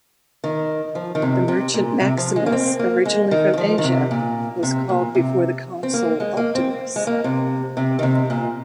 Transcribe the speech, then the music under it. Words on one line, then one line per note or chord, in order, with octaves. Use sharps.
The merchant Maximus, originally from Asia, was called before the consul Optimus.
D#3
F3
D#3
C3
C3
A#2
C3
F3
G#3
A#3
C4
A#3
G#3
D#3
D#3
F3
D#3
C3
A#2
C3
A#2
C3
C4
A#3
G#3
A#3
C4
G#3
A#3
C3
C3
D#3
C3
A#2